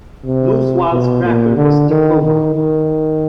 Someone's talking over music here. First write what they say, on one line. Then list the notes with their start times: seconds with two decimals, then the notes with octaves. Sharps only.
Loose-Wile's cracker was "Takhoma".
0.26 C3
0.92 B2
1.24 A#2
1.57 D3
1.90 D#3
2.23 D#3
2.55 D#3